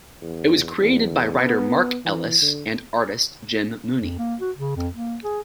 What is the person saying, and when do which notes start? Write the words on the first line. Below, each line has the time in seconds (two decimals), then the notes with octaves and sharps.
It was created by writer Mark Ellis and artist Jim Mooney.
0.22 E2
0.80 E2
1.40 B3
2.05 E3
2.42 D3
4.01 F2
4.19 A#3
4.41 F#4
4.57 C#3
4.76 F2
4.94 A#3
5.24 G#4